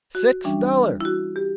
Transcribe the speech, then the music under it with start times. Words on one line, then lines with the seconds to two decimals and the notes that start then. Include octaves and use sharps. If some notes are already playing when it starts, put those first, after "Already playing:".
"Six dollars."
0.15 F#4
0.44 E3 G3 C#4 D4
1.00 E4
1.05 F#4
1.36 G4